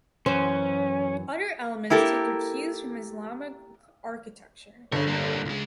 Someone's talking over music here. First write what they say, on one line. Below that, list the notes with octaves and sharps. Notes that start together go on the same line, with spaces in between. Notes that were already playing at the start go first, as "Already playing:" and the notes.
Other elements take their cues from Islamic architecture.
F#2 E3 C#4 C5
A#3 E4 G4 A4 A#4
G1 D3 G#4 C#5
G3 A#3
C#2 G#3